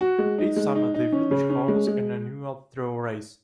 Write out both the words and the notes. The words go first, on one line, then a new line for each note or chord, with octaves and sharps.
Each summer the village holds an annual Straw Race.
F#4
G#3
D#4
G#3
D#4
D#4
C#4
C#3
C#4
G#3
G#3